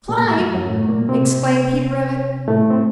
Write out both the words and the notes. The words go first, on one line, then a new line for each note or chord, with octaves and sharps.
"Climb!" exclaimed Peter Rabbit.
A#2 A#3
A2 A3
F#2 F#3
F#2 F#3
A2 A3
A#2 A#3
C3 C4
A2 A3
C4